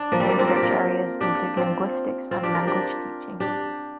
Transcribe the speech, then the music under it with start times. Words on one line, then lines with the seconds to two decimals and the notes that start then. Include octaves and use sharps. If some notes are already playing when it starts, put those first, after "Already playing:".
His research areas include linguistics and language teaching.
Already playing: D4
0.12 F3 A#3
0.20 G3 C4
0.29 A#3 D4
0.39 C4 F4
0.47 A#4
0.56 G4
0.62 F4 A#4
1.21 D4 G4
1.57 C4 F4
2.31 C4 F4
2.43 D4 G4
2.55 F4 A#4
2.67 D4 G4
3.40 D4 G4